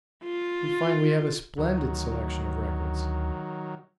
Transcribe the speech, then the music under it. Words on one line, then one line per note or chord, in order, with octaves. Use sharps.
We find we have a splendid selection of records.
F4
D2 D#3 F#3